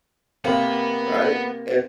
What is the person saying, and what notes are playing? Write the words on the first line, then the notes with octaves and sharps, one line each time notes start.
right? And
C3 A#3 B3 B5